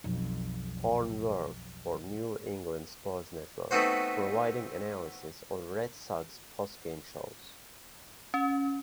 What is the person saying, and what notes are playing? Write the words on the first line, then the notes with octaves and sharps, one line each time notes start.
Horn worked for New England Sports Network, providing analysis on Red Sox post-game shows.
B1 F2
A3 B3 C4 D#4 F#4 C5
C#4